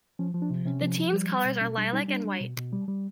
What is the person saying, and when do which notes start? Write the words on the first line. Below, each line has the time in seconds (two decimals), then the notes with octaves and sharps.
The team's colours are lilac and white.
0.19 F3 C#4
0.34 F3
0.42 D4
0.50 C3
0.66 C3 C#4
0.82 F3
0.98 F3
1.13 G3
1.29 G3
1.45 B2
1.61 B2 C#4
1.77 G3 D4
1.93 G3 D#4
2.08 G3 D4
2.24 G3
2.41 B2
2.57 B2
2.73 G3
2.88 G3